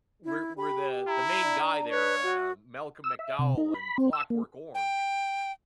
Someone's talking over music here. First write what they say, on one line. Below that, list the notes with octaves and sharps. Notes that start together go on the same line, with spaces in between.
we're we're the the main guy there, uh, Malcolm McDowell in Clockwork Orange,
E4
G4 B5
E4 A#5
D4
B4 C#5
F#4
E6
E5
C3
D#4
B5
C4
E6
A#3
G5